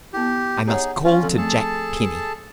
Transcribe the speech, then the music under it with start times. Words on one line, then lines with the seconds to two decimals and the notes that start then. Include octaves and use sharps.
"I must call to Jack Penny."
0.13 B3 E4 G4
0.67 D#4 G4 G#4 C#5 F#5
1.04 C#4 F4
1.23 F3 C4 A4
1.38 A3 G#4 A4 A5